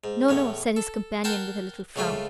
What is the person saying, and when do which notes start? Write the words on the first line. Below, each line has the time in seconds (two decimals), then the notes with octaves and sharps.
"No, no," said his companion, with a little frown.
0.04 G#2
0.29 E2 A2 C#4
0.76 A4
1.24 A#4 F#5 G5 A5 C6
1.96 C#2 C#3 A3 F4 B5